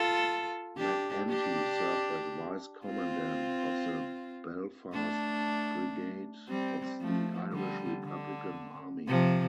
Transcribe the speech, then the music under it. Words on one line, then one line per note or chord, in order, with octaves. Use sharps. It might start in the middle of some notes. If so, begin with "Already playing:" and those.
MacEntee served as Vice-Commandant of the Belfast Brigade of the Irish Republican Army.
Already playing: F4 A4
D4 G4
D4 G4
C4 F4
A3 D4
G3 C4
F3 A3
D3 G3
D3
C3 F3